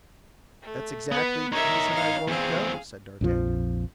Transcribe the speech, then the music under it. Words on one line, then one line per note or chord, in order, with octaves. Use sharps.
"That's exactly the reason I won't go," said d'Artagnan.
A3
B3 B4
D#4 A#4 C#5 E5
F5
E2 C4 G#4 F5
A#1 F2 F3